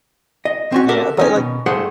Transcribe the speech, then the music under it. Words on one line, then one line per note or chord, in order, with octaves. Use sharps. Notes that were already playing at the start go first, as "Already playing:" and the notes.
Yeah, but like
D#5
C4 C#4 F#4
G4 A4 A#4 E5 F#5
D#2 D#3 C#4
B2
G2 A3 G#4 C5 F#5 C6